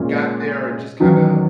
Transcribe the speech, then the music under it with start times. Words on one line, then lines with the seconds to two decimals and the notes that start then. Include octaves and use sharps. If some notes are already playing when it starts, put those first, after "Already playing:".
got there and just kinda
Already playing: A#2 G#3 C#4
1.00 E2 D#3 F#3 C#4